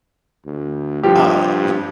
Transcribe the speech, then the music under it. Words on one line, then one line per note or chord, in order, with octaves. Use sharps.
Uh, w
D2
G2 F3 G4